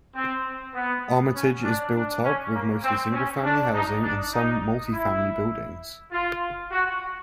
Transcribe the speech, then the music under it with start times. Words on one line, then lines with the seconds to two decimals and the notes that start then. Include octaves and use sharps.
Armatage is built up with mostly single-family housing and some multifamily buildings.
0.14 C4
0.74 B3
1.34 C#4
1.63 D4
1.94 D4
2.23 C#4
2.53 A#3
2.83 C4
3.13 C#4
3.43 D4
3.73 D#4
4.03 D4
4.32 D#4
4.92 E4
6.12 F4
6.71 F#4